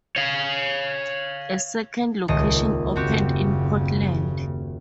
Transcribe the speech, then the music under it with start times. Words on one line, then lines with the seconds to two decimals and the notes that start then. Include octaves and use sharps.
A second location opened in Portland.
0.16 C#5 F5
2.28 D#1 C#2 D#5
2.96 F#1 C#3 C4 F#4 G4